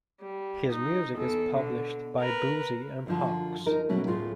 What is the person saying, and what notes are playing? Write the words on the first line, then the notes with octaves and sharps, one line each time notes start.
His music is published by Boosey and Hawkes.
G3
D#4
E2 A4
B2 D3
A#4 B4
F#2 D3 F3
D#4 A#4
B2 D3 F#3 A3 C#4
D2 A2 F4 G#4 A4